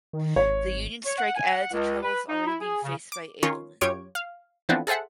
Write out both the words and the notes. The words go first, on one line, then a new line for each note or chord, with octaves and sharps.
The union strike added to troubles already being faced by Adelman.
D#3
G#1 C#5
C#5
F#5
G#5
F#5
C#2
B4
D#4
E4
G#4
C#3
D6
D#3 C#4 D#4 F4 C#5
F#2 F4 G4 C#5 G#6 D7
F5
E3 F3 A3 B3 C4 D4
G#4 A4 C5 E5 F#5